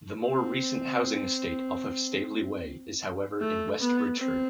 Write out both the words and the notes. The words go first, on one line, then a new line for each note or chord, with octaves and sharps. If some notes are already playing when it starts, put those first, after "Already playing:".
The more recent housing estate off of Stavely Way, is however in West Bridgford.
C4
A3
B3
C4